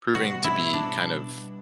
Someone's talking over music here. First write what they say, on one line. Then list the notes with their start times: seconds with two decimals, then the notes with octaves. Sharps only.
proving to be kind of
0.15 B2 G3 B3 F#4
0.44 E4
0.73 D4